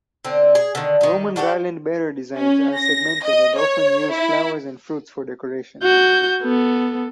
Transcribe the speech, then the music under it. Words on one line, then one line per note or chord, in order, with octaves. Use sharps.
Roman garland bearer designs are segmented and often use flowers and fruits for decoration.
D3 C4
G#4
D3 D#3
D#3 D#4
D4 F#4 G4 A4
C#4
A#6
D#5
C#5
E4
F#4 G6
B3 A4